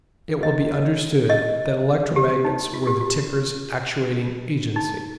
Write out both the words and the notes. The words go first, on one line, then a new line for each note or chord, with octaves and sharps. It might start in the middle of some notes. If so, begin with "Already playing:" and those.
It will be understood that electromagnets were the ticker's actuating agency.
D#5
D#5
G4
D#4
F4
G4
F4
D#4